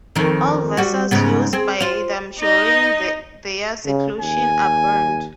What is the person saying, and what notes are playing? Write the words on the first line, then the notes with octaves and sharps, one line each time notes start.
All vessels used by them during their seclusion are burned.
F2 D#3
G3 F#4
G#2 C#3 B3
C4 G#4
F4 C5
D#4 D#5
C#3
D#2 G#5